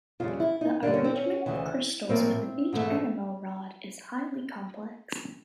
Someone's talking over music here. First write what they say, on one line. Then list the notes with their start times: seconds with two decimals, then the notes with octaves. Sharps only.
The arrangement of crystals within each enamel rod is highly complex.
0.20 F2 C#3 E3 G3 F4
0.40 E4
0.61 D#4
0.83 G2 D3 G3 A#3 D4
0.94 C#4
1.04 C4
1.16 C#4
1.46 D2 C#3 E3
2.09 A2 F3 A#3 C4
2.73 G#2 E3 A3